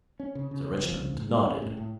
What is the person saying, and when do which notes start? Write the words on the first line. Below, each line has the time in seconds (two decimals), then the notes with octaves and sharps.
Sir Richmond nodded.
0.20 C#4
0.35 C#3
0.51 C#3
0.67 C#4
0.83 F3
0.98 C#3
1.15 A2
1.30 G#3
1.46 C#4
1.62 A2
1.77 A2